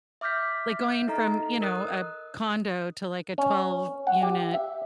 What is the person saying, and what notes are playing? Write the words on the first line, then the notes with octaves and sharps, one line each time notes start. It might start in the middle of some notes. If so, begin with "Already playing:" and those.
like, going from, you know, a condo to like a twelve-unit
E5 D6 F6 G6 B6
D#4 A4 D#5 A#5
A#4 D#5 D#6 F#6
C#4
F#5
G4
E5